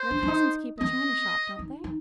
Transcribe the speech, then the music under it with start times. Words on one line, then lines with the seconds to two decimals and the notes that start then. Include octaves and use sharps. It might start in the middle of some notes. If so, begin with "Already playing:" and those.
Your cousins keep a china-shop, don't they?
Already playing: C5
0.11 D4
0.23 D4
0.28 D#4
0.80 C4 D#5
1.59 D#4
1.84 D#4